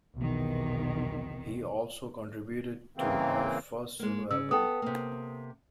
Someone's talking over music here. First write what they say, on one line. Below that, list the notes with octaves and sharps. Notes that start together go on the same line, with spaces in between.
He also contributed to her first solo album.
B1 E2 C3 D#3
C#3 E3 A#3 C4
G#3 A#3
C#3 E6
B3 A4 G5 D#6
C3 A#3